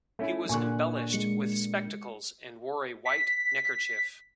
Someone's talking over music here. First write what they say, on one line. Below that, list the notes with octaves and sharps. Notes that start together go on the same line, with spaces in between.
He was embellished with spectacles, and wore a white neckerchief.
A3 C#4 E4
A#2 D3 G#5 C#6 F#6
G#3 C#7
B6